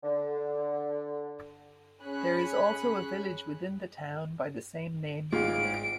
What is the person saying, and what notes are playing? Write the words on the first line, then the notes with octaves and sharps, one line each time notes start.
There is also a village within the town by the same name.
D3
C#4 G#4 B5 F#6
G#1 G#2 F4 D7